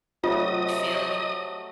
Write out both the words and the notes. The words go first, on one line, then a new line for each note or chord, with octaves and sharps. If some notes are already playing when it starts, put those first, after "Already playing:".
feel you
C3 F#3 A3 F4 D#5 D#6